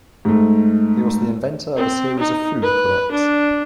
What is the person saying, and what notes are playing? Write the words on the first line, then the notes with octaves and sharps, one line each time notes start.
He was the inventor of a series of food products.
G#2 A3
C4
D#4
B4
D4